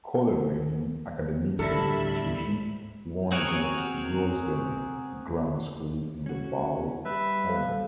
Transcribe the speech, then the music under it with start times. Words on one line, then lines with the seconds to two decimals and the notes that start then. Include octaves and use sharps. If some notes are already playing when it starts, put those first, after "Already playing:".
Coleraine Academical Institution won against Grosvenor Grammar School in the Bowl final.
1.59 D2 A2 G3 A4 E5 B5
3.32 C4 F#4 G#4 A#4 C#5
6.26 C#4 F#4
7.05 G3 B4 E5
7.49 A4 F5